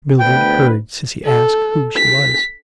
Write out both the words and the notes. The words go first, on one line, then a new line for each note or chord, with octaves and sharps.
Mildred heard Cissy ask who she was.
D2 B3 B4 G5
A4
B6